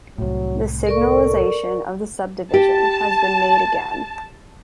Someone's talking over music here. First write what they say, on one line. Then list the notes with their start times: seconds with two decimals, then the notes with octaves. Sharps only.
The signalization of the subdivision has been made again.
0.18 C2 A2 F#3
0.87 A4 A#4 D5 C#6
2.54 G4 A5